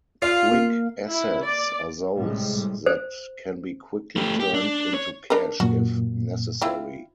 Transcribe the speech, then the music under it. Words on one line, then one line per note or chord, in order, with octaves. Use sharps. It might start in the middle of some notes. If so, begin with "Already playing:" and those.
Quick assets are those that can be quickly turned into cash if necessary.
F4 D5 F5
A#3
E4
D5
A2 C3 G3 G#3
C5
A3 G4
G4
D4
C#5
D4 A#4 B4
F#2 A#2 F#4
C4 E4 F4